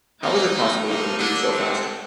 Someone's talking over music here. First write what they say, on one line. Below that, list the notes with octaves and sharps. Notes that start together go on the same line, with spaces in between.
How is it possible to complete so fast?
D3 F3 A#3 D#4
A2 A3
G2 F3 A#3 D#4
D3 G3 A#3 D4
G2 D3 A3 C4